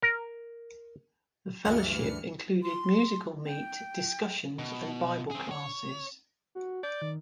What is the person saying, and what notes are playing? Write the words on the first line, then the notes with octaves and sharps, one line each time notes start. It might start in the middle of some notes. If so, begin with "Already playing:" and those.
The fellowship included Musical Meet, Discussions and Bible Classes.
A#4
D2 G2 E3 F6 C#7
C6
G5
B2
C4 G#4
C#5
F#4
D5 G6
D#3